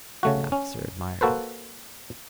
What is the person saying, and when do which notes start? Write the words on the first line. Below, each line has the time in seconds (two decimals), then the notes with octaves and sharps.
The officer admired it.
0.23 C#3 A3 F#4
0.52 C#4
1.21 A#3 F#4 A4 B4 C5